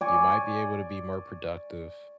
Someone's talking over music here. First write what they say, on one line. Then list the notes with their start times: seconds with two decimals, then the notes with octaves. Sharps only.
you might be able to be more productive,
0.01 D5 G#5 C#6